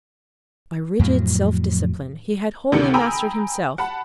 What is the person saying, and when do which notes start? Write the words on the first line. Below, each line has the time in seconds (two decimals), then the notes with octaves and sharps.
By rigid self-discipline, he had wholly mastered himself.
0.99 F2 A2 F3 F#3
2.72 D2 C3 D#3 C#7
2.94 G5 G#5 A#5 B5 D#6 E6
3.78 F#5 A5 B5